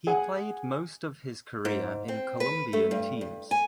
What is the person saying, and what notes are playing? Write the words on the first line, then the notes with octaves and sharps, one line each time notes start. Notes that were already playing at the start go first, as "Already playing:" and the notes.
He played most of his career in Colombian teams.
G#4 F#5 G#5
G#2
C4
B4
A3
G2
G2
G#5